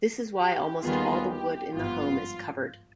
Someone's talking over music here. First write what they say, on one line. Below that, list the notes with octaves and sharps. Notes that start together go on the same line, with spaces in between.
This is why almost all the wood in the home is covered.
G4
D#2 D#3 G3 B3 F4 G#4
G4
G#1 G2 F3 B3 F4